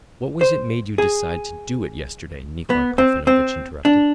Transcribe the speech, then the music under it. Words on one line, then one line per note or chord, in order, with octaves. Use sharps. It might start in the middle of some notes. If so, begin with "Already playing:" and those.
"What was it made you decide to do it yesterday?" Nikolay Parfenovitch interrupted.
C5
G#4
B3
C4
C4
D4